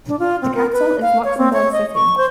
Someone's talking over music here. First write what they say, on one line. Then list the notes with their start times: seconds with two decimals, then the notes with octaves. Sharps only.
The capital is Luxembourg City.
0.08 D4
0.19 F4
0.42 C4
0.54 A#4
0.72 B4
1.02 F5
1.24 C#5
1.38 C4
1.53 C#5
1.72 D#5
1.94 C#6
2.17 C5